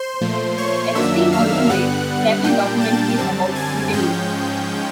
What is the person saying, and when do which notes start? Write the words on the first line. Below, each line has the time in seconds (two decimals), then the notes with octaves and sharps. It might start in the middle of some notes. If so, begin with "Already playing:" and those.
Epstein also made several documentaries about Brittany.
Already playing: C5 C6
0.21 A#2 F3 A3
0.58 C#5 C#6
0.95 F#2 D#3 F#3 A#3 D4 E5 E6
1.32 F5 F6
1.70 G2 D3 G3 B3 F#5 F#6
2.44 A#2 G3 A#3 D4 G5 G6
2.81 A5 A6
3.18 F#2 D3 G3 C4 A5 A6
3.56 G#5 G#6
3.93 G#2 F3 G#3 C#4 G5 G6